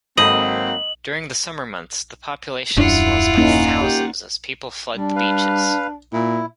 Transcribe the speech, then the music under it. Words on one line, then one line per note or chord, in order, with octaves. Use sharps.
During the summer months, the population swells by thousands as people flood the beaches.
G#1 F#3 A#3 C4 A4 D#5 B5 F#7
D#1 F#2 D4 E4 F4 F#5
A#3 C#4 D#4
G4
G3 D4
B4 F5
A#2 E4